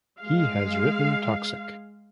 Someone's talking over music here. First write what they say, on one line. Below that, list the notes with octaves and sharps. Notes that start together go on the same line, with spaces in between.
He has written Toxic!
G#3 F5